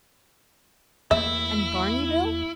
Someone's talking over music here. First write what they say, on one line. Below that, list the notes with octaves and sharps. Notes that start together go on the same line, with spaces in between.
"And Barney Bill?"
E2 A3 A#3 E4 E5